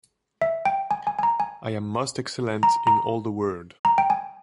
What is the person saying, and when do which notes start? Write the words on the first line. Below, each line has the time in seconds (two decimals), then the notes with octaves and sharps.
I am most excellent in all the world!
0.42 E5
0.65 G5
0.91 G#5
1.07 G#5
1.19 G#5
1.23 A#5
1.40 G#5
2.63 A#5
2.87 A#5
3.85 A#5
3.98 G5
4.10 G#5